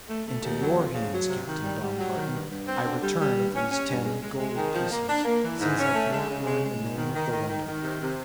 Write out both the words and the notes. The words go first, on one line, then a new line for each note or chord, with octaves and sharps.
Into your hands, Captain Baumgarten, I return these ten gold pieces, since I cannot learn the name of the lender.
A3
A3
D#2
F#3
F2
C#3
F#3
C3
D#3
G3
G3
F#3
D#3
G2
G2
C4
D3
G3
G3
G2
C#4
C#4
G2
G#3
G#3
G#3
D#3
F3
A#3
D4
A#3
E3
G#2
C#4
A3
G#3
C#3
G#3
G#3
G#2
D#3
D#3
D#3
D#3
D#3
C3
C3